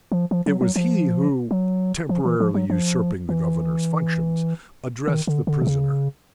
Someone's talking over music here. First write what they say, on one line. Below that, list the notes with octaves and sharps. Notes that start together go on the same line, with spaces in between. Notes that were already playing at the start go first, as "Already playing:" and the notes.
It was he who, temporarily usurping the governor's functions, addressed the prisoner.
F3
F3
F#3
F#3
F3
F#3
F3
E3
F3
F#3
F3
E3
D#3
D3
D3
C3
C#3